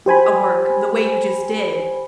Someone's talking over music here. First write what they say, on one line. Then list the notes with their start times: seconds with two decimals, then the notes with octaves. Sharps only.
w a work the way you just did,
0.06 G4 C5 G#5 B5